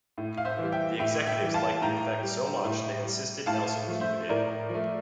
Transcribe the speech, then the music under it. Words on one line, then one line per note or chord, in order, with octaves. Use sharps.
The executives liked the effect so much, they insisted Nelson keep it in.
A2
F5
C5 E5
E3 G3
E5 G5
A2 E5 G5
E5 G5
E3 G3
F5 A5
A2 G5 A#5
G3
A2
G3
A2 F5 A5
F3 A3
C5 E5
A2 A#4 D5
F3 A3